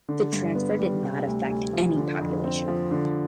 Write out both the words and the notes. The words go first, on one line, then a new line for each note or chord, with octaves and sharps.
The transfer did not affect any population.
D3
G2
B3
G3
C3
D2
D2
F3
D3
F2
C4
F3
D3